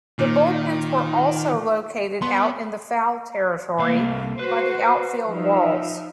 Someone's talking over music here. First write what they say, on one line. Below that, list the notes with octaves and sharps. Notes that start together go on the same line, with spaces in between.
The bullpens were also located out in the foul territory by the outfield walls.
A#2 D#3
B3 C6
C2 A3 A#3 F5
F#4 B4 C5
F3 D#4 E5